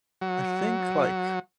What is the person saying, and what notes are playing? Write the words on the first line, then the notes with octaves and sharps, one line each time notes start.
I think, like,
F#3